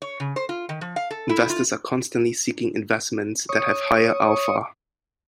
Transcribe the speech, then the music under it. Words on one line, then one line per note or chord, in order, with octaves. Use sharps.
Investors are constantly seeking investments that have higher alpha.
C#5
C#3
C5
F4
D#3
F3
F5
A4
E4
F4
C#5 C#6 D#6